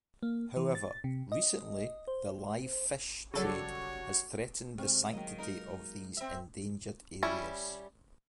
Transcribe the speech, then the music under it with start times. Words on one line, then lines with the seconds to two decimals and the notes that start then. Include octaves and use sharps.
However, recently the live fish trade has threatened the sanctity of these endangered areas.
0.23 A#3
0.57 E3
0.75 A6
1.04 C3
1.32 D#5
2.08 C5
3.34 C#3 F#3 G3 F#4 A4 C#5 D5
4.78 C3 G#3 C4
5.13 D#3 F#3 G#3 A#3 D#5
5.38 D#4 A#4
6.17 C4 E5
7.23 G3 C#4 E4